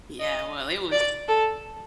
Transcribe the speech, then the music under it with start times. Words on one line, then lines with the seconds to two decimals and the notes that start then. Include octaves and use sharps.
Yeah, well, it was
0.20 D#5
0.92 D5
1.28 A4